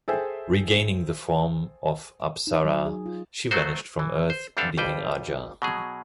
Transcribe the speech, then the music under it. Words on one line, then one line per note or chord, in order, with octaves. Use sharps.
Regaining the form of apsara, she vanished from earth leaving Aja.
G#4 A4 C5 E5 G5 G#5
D#4
F#3
G#4
F4
F#3 A3 B3 F#4 C5
E3
C5
E2 G3 C4 D4 A4 F5
G#1 F2 G3 B4 C5 G5
B2 F#3 G#4